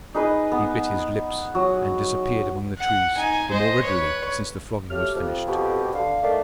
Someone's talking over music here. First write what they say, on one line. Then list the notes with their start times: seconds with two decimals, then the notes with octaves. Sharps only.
He bit his lips, and disappeared among the trees, the more readily since the flogging was finished.
0.14 D#4 G#4 B4 D#5
0.52 B3
1.55 F#3
2.78 F#5
3.17 D#4 G#5
3.51 C5 D#5
3.83 B4 C#5
4.90 F#3 A3 G4 F6
5.15 F2
5.48 B2 G4
5.93 D3 F5
6.23 D#3 A3 D4